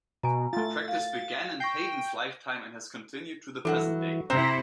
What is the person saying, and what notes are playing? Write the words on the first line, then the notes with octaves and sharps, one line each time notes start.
The practice began in Haydn's lifetime and has continued to the present day.
B2 G#5 A#5
A3 F4 A6
F5
G5 C#6 A#6 C7
G2 E3 F#3 A4 F#5
C3 C4 E4 C5 A#5